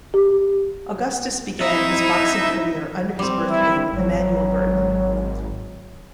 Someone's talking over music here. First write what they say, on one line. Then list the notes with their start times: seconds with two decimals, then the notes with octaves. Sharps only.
Augustus began his boxing career under his birth name Emanuel Burton.
0.14 G4
1.61 C4 D#4 E4 E5
3.19 G3 C4
3.47 E4
3.92 G#1 F#3